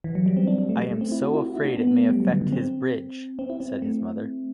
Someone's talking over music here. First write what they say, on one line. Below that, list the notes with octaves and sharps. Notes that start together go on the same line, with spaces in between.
"I am so afraid it may affect his bridge," said his mother.
E3
F#3
G3
C4
D4
D4
A3
G3
A3
C4
E4
F#4
E4
F#4
E4
D4
B3
B3
A3
G3
F#3
D3
D3
C4
C4
E4
C4
A3